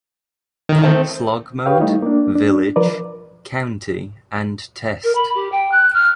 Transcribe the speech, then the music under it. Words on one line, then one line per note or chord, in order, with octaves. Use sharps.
Slog mode, village, county and test.
D#3
A3 C4 C5
G4 B4 C#5 F5 G5
G3 A3 D#4 E4
A#3 D4
D4
F3 A#4 B4 D5
A#4
B5
G4
G5
F#6
F6